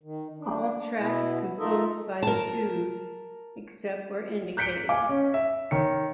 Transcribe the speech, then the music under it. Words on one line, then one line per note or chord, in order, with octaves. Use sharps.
All tracks composed by The Tubes; except where indicated.
D#3
D4
B2 B3 E4
D#4 F4 A4 A#4 D#5 E5
A#4 A5
F#6 G6 B6 C#7 D7 G7
D#5 F5 G#5 D6
C#4
E5
D#3 C#5 C#7